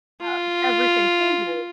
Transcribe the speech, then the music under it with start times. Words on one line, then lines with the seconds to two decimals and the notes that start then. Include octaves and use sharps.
Um, everything changes.
0.21 F4